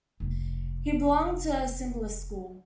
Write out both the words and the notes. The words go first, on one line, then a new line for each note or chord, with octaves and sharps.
He belonged to the Symbolist school.
F1 B1